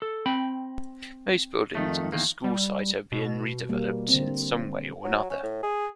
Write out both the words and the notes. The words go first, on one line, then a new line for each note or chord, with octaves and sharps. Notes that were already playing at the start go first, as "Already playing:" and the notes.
Most buildings on the school site are being redeveloped in some way or another.
A4
C4 G5 B5
F2 D#3 A3
E2 D#3 A#3
G3
B2
G3 A#3
D3 C4
F#3
C#4
A2
G#4